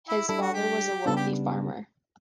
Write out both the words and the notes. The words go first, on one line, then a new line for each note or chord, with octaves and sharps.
His father was a wealthy farmer.
E4
G3 D4 E4 A4
F#4
G4
C#3 G3 B3 D4 A4
G4